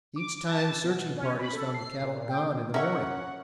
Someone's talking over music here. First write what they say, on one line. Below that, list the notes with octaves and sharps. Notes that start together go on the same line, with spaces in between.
Each time searching parties found the cattle gone in the morning.
D6
A5
B2
C#4
B5
A4
C7
A#2
G5
C#4 D#4 A#4 C#5 E5 F#5